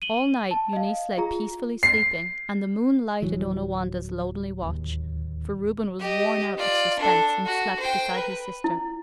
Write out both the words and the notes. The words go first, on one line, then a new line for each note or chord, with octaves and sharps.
All night Eunice lay peacefully sleeping, and the moon lighted Onawandah's lonely watch, for Reuben was worn out with suspense, and slept beside his sister.
D#7 F#7 G7
A5
D#5 F5
F4 G#4 A#5
C7
D1 E3 F#3
D#2
G4 D#5
F4 D5
D4 A4
F#4
C5 G5
B4
E4